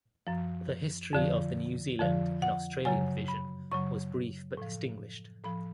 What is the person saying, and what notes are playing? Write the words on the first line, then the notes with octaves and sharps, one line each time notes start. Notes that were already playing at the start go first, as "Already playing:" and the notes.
The history of the New Zealand and Australian Division was brief but distinguished.
F#2 F3
F2 D3 F3
F2 D3 F3
F#5
F#2 C#3 F#3 G#5
B5
F#2 C#3 F#3 C#6
A2 F3
A2 F3 B5